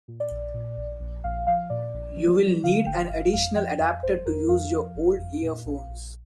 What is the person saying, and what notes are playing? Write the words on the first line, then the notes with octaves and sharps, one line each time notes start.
You will need an additional adapter to use your old earphones.
A#2
D5
A#1
A#2
A#1
A#1
A#1 F5
F3 F5
A#2 D5
A#1
F3
F3
D3 F5
G1 G5
G1 F5
F2 F5
F3 G5
F2 F5
G1 C5
F2 A#4
F2 F5
F3
G1
F2
A#2
A#1
A#1